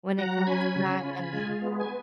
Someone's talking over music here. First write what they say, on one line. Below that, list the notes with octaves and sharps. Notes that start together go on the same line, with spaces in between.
when it comes to that, an
F#3 F#5 A#5
A#5
C#4 G#5 B5
C#3
F4
G#3
B3
G#5